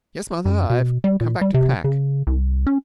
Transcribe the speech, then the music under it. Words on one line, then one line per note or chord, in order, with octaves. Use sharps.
'Yes, mother; I've come back to pack.
F#2
B2
G3
A#2
G3
C3
C#3
C2
C#4